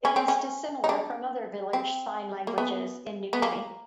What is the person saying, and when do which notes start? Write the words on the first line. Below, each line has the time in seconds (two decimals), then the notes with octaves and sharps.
It is dissimilar from other village sign languages in New Guinea.
0.05 C#4
0.16 C4
0.28 C#4
0.84 D#4
0.89 D4
1.73 C4
2.47 A#3
2.58 B3
3.33 B3
3.42 A#3